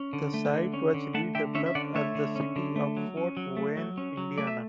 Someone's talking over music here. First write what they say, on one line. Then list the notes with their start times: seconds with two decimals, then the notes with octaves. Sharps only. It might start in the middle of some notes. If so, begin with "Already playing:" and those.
The site was redeveloped as the city of Fort Wayne, Indiana.
Already playing: C#4
0.13 D3
0.34 A3
0.53 D3
0.74 C#4
0.94 D3
1.14 A3 F#5 A5
1.35 D3 E5 G5
1.55 C#4 C#5 E5
1.66 E5
1.75 D3 D5 F#5
1.95 A3 C#5 E5
2.15 D3
2.36 C#4
2.56 D3
2.76 A3
2.97 F#3
3.17 C#4
3.37 F#3
3.57 A3
3.77 F#3
3.98 C#4
4.17 F#3
4.38 A3 D5
4.47 E5